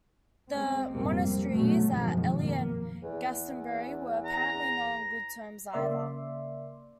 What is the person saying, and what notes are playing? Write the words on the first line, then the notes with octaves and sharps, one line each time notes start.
The monasteries at Ely and Glastonbury were apparently not on good terms either.
G#3 C4
F1 G#2 C3 G3 A#3 C4
B2 D3 F#3 G#3 A3
G#1 F#2 B2 D#3 F3 G#3
A#3
E2
A#5
C#3 A#3 D5 E5 C6